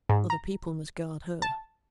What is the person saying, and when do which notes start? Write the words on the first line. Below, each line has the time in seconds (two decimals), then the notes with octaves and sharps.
Other people must guard her.
0.09 G#2
0.30 A#5
1.42 A5